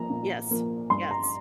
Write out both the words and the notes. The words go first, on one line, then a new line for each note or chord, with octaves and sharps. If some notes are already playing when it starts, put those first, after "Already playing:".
Yes, yes.
Already playing: F3 A#3 A#5
A#2
F3 A#3
G2 C6
A#5